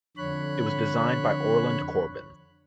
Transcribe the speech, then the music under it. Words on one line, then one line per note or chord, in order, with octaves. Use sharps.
It was designed by Orland Corben.
F2 D3 C#5 B5 F#6